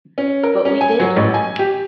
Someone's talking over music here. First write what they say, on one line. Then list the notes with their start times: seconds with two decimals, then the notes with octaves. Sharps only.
But we did.
0.18 C#4
0.43 A#4
0.65 C#4
0.81 G#5
1.00 F#3
1.16 A1
1.34 G#5
1.59 G4